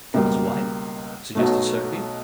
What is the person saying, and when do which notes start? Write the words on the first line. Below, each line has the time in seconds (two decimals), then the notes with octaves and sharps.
"Become his wife?" suggested Sophie.
0.14 C#2 B2 G3 A#3
1.35 B1 B2 F#3 A3